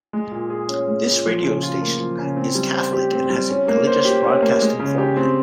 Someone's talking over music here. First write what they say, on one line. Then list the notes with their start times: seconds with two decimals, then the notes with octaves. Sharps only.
This radio station is Catholic and has a religious broadcasting format.
0.13 G#3
0.31 A#2
0.50 G#4
0.69 C#4
0.88 G#3
1.07 A#2
1.25 F3
1.43 C#3
1.63 F4
1.82 A#3
1.99 F3
2.19 C#3
2.37 C4
2.55 G3
2.74 C5
2.93 G4
3.12 C4
3.30 G3
3.49 C#4
3.68 A#3
3.87 C5
4.05 G4
4.24 C#4
4.42 A#3
4.61 G#3
4.80 C#3
4.98 G4
5.17 C4